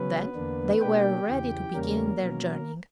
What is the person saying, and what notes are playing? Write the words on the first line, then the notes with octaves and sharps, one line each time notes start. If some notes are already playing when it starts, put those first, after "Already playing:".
Then they were ready to begin their journeying.
Already playing: C#3 F#3 B3 C#4 B4
E2 D3 A#3 D4
B2 A#3 D4 G4 G5
E2 C#3 E3
E2 C#3 G3 A#3 C#4 A#4
B2 F#3 C#4